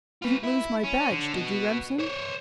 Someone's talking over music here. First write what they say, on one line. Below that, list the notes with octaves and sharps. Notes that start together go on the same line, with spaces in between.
Didn't lose my badge, did you, Remsen?
F4 B4
E4
C#4
D3
B3 F#4
C5 C#5